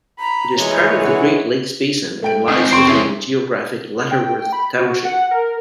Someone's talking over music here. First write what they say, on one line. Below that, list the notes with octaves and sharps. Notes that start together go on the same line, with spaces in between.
It is part of the Great Lakes Basin and lies within geographic Lutterworth Township.
A#5 B5
E3 G#3 C#5
G#4 F#5
A3 G5 D7
D#3 C4
F2 C5 G5 C6 C#6
C#4 E4 F4 G#4
G5
B5
F#4
F#5
A#4